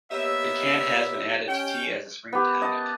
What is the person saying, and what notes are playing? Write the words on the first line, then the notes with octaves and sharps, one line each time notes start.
It can has been added to tea as a spring tonic.
A#3 B3 G4 C#5 D#5 E5
C#4 G5
B3 G4
D#5 A5